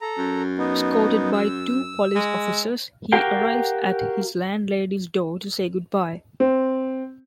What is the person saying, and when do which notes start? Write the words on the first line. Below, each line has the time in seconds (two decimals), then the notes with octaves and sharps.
Escorted by two police officers, he arrives at his landlady's door to say goodbye.
0.01 A4 A#5
0.18 F#2
0.58 B3 D#4
1.32 E6
2.16 G#3
3.12 F#4 G4 A#4 F5 G5
6.40 C4